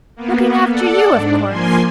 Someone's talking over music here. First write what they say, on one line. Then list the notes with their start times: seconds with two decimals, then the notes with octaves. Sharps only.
"Looking after you, of course."
0.16 A#3 B3
0.70 A4 D5 F#5
1.11 G#2 D4
1.49 F3 A#3 G#5 C6